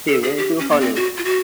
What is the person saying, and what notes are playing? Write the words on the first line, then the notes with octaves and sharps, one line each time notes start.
He went to Holland.
A4
G#4
G4
C#4
B3
C4
F#4
F4
F#4